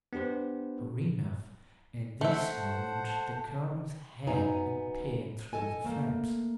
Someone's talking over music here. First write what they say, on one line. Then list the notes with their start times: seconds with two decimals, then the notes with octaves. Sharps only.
Sure enough, at this moment the Colonel's head appeared through the flaps.
0.13 B3 D4 G4 B4 C5
2.21 A3 C5 E5 F#5
2.56 A5
4.27 F#2 B3 D#4 G#5 A#5
5.53 A4 D#5 G#5
5.85 A3 A#3